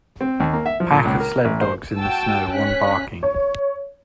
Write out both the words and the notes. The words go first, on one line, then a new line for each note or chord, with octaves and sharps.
Pack of sled dogs in the snow, one barking.
C4
D#2
A#3
E5
F3
A#2
C#2
A#4
A1
C5
F#4 G5 A5 E6
C#4 F#6 B6
C#5